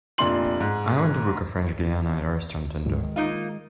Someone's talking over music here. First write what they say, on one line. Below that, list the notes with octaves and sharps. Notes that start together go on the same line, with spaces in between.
I want to book a French Guiana restaurant indoor.
F1 A#2 D4 C6 F#7
G#2
G#2 D#3 F#3
D#3 G#3
A#3 D#4 F4